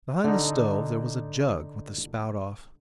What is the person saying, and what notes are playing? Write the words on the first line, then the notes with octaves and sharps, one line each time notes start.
Behind the stove there was a jug with the spout off.
D3 D#4